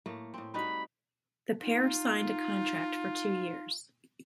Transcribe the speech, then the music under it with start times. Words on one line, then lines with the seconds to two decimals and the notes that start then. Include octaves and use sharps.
The pair signed a contract for two years.
0.06 A2 A3 A#3
0.34 A2 C4
0.54 G3 D#4 F#4 B5
1.61 D#4 F4